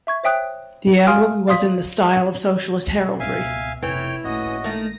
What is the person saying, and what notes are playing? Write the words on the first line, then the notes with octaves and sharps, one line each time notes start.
The emblem was in the style of socialist heraldry.
E5 C#6 G#6
C5 C#5 E5 G5 D#6 F#6
F5 G#5 C6 D#6 F6 D7
D5 F5 C6 D#6 B6
B2 D#3
G#1 C#2 E5 F5 G#5
F1 E3 C#5 G5
G1 A2 A#3 C#4 F#4 D#5 D#6
D#3 A3 A#6